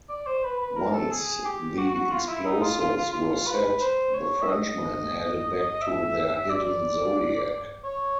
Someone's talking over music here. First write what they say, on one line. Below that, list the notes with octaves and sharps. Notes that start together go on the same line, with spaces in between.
Once the explosives were set, the Frenchmen headed back to their hidden Zodiac.
D5
C5
B4
B4
A#4
A4
G#4
G4
F#4
F#4
F4
E4
D#4
F4
F4
F4
F4
B4
C5
C#5
E5
D#5
E5
D5
C#5